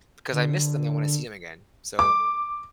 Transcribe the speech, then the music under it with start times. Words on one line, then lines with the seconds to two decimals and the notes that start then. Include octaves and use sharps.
because I miss them; I wanna see 'em again. So,
0.32 D3
1.99 D6